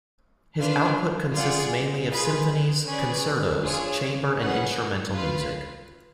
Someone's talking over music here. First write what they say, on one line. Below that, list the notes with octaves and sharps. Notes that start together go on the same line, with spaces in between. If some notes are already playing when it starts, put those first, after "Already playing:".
His output consists mainly of symphonies, concertos, chamber and instrumental music.
D4 F4 B4 F5
F4 G#4 D5 F#5
F4 G#4 B4
C#4 G#4 B4 D5
D4 F4 G#4 C#5
C#4 G#4 B4 F#5
F4 B4 F5